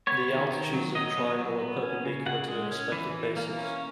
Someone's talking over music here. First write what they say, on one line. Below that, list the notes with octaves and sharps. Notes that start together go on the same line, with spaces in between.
The altitudes of a triangle are perpendicular to their respective bases.
B3 C#5
D#3
D#3
F#3
F#3 D#5
B3
F#3
B3
C#4
C#3
C#3 F#5
G#3
C#4
E3
E3
A#3
C#4